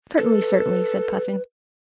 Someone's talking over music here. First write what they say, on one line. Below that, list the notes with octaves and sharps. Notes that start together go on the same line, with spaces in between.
"Certainly, certainly," said Puffin.
A4 B4